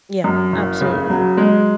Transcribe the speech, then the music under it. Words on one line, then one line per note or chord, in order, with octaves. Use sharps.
Yeah. Absolutely.
F#2
F#1
C#3
F#3
G#3